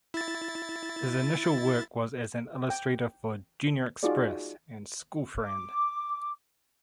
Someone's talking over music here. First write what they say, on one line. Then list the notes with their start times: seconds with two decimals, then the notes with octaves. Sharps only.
His initial work was as an illustrator for "Junior Express" and "School Friend".
0.14 E4 A6
2.70 G5
4.03 D#4 F4 F#4 G#4 D5
5.41 D6